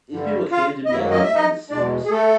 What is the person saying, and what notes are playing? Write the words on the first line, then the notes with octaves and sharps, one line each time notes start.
These people came to be identified as Sooners.
G2 D3 G3
F4 F5
D#5
F#2 D#3 F#3 A#3 E4 E5
D#5
E5
D#4 D#5
E2 B2 G#3 D4 D5
G#4
A3 A4